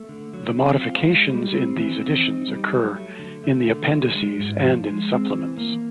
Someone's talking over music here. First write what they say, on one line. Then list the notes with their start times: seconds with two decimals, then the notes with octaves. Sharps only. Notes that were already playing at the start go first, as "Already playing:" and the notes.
The modifications in these editions occur in the appendices and in supplements.
Already playing: A3
0.09 D3
0.33 F#3
0.57 C4
0.81 F4
1.05 G#3
1.29 G3
1.53 C4
1.77 E3
2.01 C4
2.25 D#4
2.48 G3
2.72 F#3
2.96 A3
3.19 D3
3.44 A3
3.67 D3
3.91 F#3
4.15 G#3
4.39 G#2
4.62 F3
4.87 G#3
5.11 C4
5.34 E3
5.58 A#3